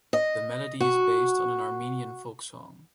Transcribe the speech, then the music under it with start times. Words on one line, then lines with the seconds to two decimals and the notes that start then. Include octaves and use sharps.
The melody is based on an Armenian folk song.
0.13 D#5
0.80 F#4